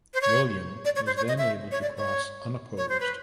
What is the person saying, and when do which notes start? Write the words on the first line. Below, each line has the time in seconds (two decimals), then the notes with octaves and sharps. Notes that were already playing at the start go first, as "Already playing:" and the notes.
William was then able to cross unopposed.
0.14 C5
0.21 C#5
0.85 D5
0.96 C#5
1.07 C5
1.17 C#5
1.28 D#5
1.38 E5
1.72 C#5
1.82 D5
1.97 C#5
2.78 C#5
2.89 C5
3.00 B4